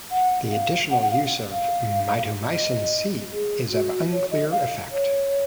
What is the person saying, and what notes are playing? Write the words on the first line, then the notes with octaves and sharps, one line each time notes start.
The additional use of mitomycin C is of unclear effect.
F#5
F5
F#5
F#5
F5
F5
D#5
G#4
F#4
C#5
D#5
F5
C#5